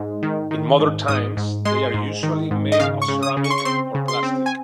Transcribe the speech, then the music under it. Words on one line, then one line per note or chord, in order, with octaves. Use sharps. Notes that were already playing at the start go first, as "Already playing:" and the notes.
In modern times, they are usually made of ceramic or plastic.
Already playing: G#2 G#3
D#3
D#3
G#2
G#2 D#6
G#2
G#3 C6
G#2
D#3
G#2
D#5
C#3 F5
C#6
C#3
D#6
C#3
C#6
C6
C#6
C4 C6
C#3
C6
C4
G#5